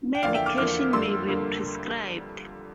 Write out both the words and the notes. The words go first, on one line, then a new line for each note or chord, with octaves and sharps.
Medication may be prescribed.
G5
E2 D3 F3 A#3 D5 F5
E5 G5
D6 F6
E2 D3 F3 A#3 D6 F6
F2 D3 G3 A#3 C6 E6
F2 D3 G3 A#3